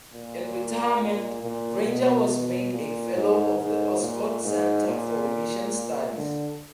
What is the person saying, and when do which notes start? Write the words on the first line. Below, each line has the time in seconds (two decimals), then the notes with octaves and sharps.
In retirement, Ranger was made a fellow of the Oxford Centre for Mission Studies.
0.14 A#2
1.43 A#2
1.86 B2
2.29 B2
2.72 A#2
3.15 G#2
3.58 G#2
4.01 A#2
4.44 G#2
4.88 A#2
6.16 D3